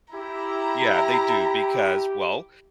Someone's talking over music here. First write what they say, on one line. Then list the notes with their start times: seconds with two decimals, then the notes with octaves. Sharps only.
Yeah, they do, because, well,
0.14 E4 G4 A#5